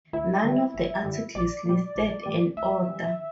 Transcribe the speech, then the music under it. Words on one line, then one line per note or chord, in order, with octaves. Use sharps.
None of the articles listed an author.
D2 E4
D3 G3
G1
G2 D3 G3
A#1 D5
A#2 G3
A#1
A2 E3 G3
D2 E5
C#3 E3 G3